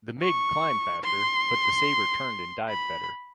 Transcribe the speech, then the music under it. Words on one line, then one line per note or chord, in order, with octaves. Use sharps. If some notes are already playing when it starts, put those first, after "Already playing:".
The MiG climbed faster, but the Sabre turned and dived better.
C#6
C6
B5